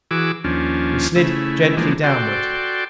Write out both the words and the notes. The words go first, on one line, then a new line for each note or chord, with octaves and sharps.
We slid gently downward.
E3 F#4 G#4 D6 E6
D#2 F3 C#4 D4
C#3 A3 E4
E3 F3 G#3 A#3 D4
F#4 A4 D5 G5 C6